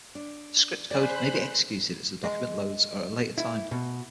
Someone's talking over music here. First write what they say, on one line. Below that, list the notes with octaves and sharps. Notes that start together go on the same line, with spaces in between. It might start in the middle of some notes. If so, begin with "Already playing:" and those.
Script code may be executed as the document loads or at a later time.
D4
C5 D5 G#5 B5 F#6
G#3
E4
B2